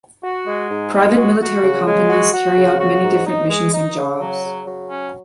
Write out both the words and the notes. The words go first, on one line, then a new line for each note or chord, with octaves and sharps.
Private military companies carry out many different missions and jobs.
F#4
G#3
G#2
G#3
F#4
F#4
C#3
G#3
F#4
F#4
C#3
F#4
G#2
D#4
G#3
D#4
C#3
F#3
C#3
F#3
C#4